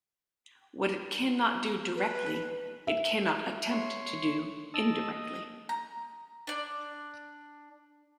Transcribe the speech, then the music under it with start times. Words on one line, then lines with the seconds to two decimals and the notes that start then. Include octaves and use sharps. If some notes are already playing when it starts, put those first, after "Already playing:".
What it cannot do directly, it cannot attempt to do indirectly.
1.96 B4
2.87 E5
3.71 C#5 C6
4.74 D#5 A5 E6
5.13 D#5
5.69 A#5
6.47 D4 D5